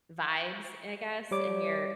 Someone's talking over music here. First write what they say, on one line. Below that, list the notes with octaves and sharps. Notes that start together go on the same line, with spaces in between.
vibes, I guess, in your
G3 C#5 D6